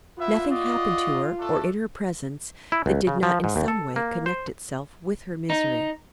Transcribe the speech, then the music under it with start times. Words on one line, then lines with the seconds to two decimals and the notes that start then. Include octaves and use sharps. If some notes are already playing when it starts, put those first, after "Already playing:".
Nothing happened to her, or in her presence, that did not in some way connect itself with her misery.
0.18 B3 E4 F4 E5
0.49 F#4 D5 D#5
1.38 A3 D4 A4
2.72 E4
2.86 C#2
3.07 C#3
3.23 F3
3.44 G#2
3.56 D#2
3.68 A4
3.96 A#3
4.26 C5
5.50 D#4